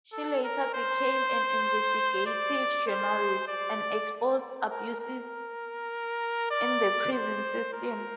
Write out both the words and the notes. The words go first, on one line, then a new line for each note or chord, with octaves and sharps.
She later became an investigative journalist, and exposed abuses in the prison system.
A4
A#4
C5
D5
C5
D5
A#4
A#4
D5
C5
A#4